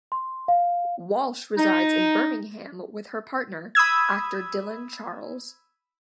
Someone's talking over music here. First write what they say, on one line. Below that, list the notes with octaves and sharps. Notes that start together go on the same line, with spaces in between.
Walsh resides in Birmingham with her partner, actor Dylan Charles.
C6
F5
D#4
B5 D#6 E6 G#6